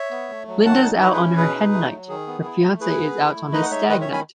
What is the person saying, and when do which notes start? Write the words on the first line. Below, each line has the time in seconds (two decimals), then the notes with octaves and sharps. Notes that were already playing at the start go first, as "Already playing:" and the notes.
Linda's out on her hen night, her fiance is out on his stag night.
Already playing: C#5 E5
0.11 B3
0.29 A3
0.47 F#3
0.65 D#3 F#5 A5
0.83 D#4
1.01 E4 B4 D#5
1.13 G#4 B4
1.19 C#4
1.37 B2 G#4 B4
1.55 D#4
1.73 A3
1.91 F#3
2.09 D#3 G#4
2.27 B3
2.44 E4
2.63 A3
2.81 E4 G#4 B4
2.98 B3
3.17 E4
3.35 A3
3.53 D#4 B4 D#5
3.62 F#5
3.71 G#3 C#5 E5
3.89 D#3 B4 D#5
4.01 C#5 E5
4.07 C#4
4.13 G#5 B5